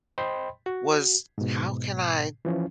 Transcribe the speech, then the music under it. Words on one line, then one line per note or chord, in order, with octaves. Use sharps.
was, "How can I
C5 D#5 G5 B5 C6
F#4
G#2 B2
E3 F3 C#4